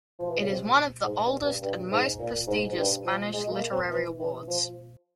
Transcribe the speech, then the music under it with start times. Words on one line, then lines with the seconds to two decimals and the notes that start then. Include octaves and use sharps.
It is one of the oldest and most prestigious Spanish literary awards.
0.19 F3
0.29 E3
0.38 C#3
0.47 C3
1.05 G#2
1.24 G2
1.43 G2
1.62 G2
1.91 G#2
2.19 A#2
2.47 G#2
2.68 G#2
2.76 G2
3.04 F3
3.33 G#3
3.47 G#3
3.52 A#3
3.71 C4
3.90 E3
4.19 E3
4.48 F3